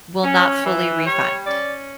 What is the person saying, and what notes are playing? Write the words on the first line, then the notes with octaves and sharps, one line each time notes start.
will not fully refund.
C#4
E3
G3 C#5
C#4 D5